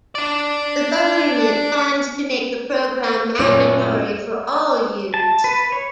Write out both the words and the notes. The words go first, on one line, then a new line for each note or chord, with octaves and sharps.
The government plans to make the program mandatory for all youths.
D4 D5
F#2 A#2 A3 C#4 E4 A#4 C#5 D5
A5
B4
C#5